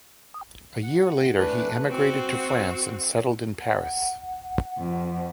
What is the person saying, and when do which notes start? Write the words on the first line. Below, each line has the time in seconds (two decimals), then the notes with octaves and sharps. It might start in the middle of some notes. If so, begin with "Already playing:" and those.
A year later, he emigrated to France and settled in Paris.
0.83 F#5
1.38 E3 A3 D4 B4
1.89 C4 F#4
3.61 F#5
4.78 F2